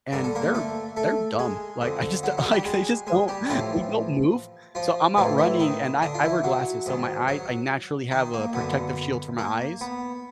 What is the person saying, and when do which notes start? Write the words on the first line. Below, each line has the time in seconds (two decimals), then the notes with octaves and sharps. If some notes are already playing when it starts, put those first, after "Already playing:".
and they're they're dumb, like I just like, they just don't they don't move, so I'm out running and I I wear glasses, so my eye I naturally have a protective shield for my eyes,
0.12 G2 D3 A#4
0.24 A4
0.35 A#3 A#4
0.54 A3 A4
0.96 A3 A4
1.39 G#3 G#4
1.81 F2 D3
2.23 F#3 F#4
2.37 F#3 F#4
2.52 G3 G4
2.65 G#3 G#4
3.07 G#3 G#4
3.28 G3 G4
3.49 A2 E3 F3 F4
4.75 F3 F4
5.17 A2 E3 F3 F4
5.38 E3 E4
5.60 D#3 D#4
6.02 D3 D4
6.14 F4
6.23 E3 E4
6.43 F#3 F#4
6.86 G#2 D#3
7.28 F#3 F#4
8.12 D#3 D#4
8.33 A#3
8.54 F#2 D3 B3
9.38 A#3
9.81 B3